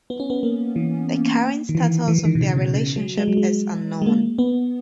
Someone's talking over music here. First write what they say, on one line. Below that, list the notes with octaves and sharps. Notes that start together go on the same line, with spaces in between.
The current status of their relationship is unknown.
B3
C#4
B3
A#3
E3
D#3
E3
E3
E3
D#3
B2
C#3
B2
C#3
F#3
G#3
F#3
G#3
G#3
A#3
B3